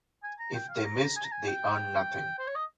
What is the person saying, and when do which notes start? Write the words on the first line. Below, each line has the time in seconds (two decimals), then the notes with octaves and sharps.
If they missed, they earned nothing.
0.23 G#5
0.39 A#5
0.54 G5
0.69 F5
0.85 A#5
1.00 A#5
1.16 G#5
1.24 A#5
1.32 G#5
1.48 G5
2.39 C5
2.47 C#5
2.55 D#5